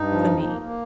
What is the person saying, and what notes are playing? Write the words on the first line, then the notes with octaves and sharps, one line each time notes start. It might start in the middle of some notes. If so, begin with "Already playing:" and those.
to me.
Already playing: G2 D#4
F3
F2
A#3
A#3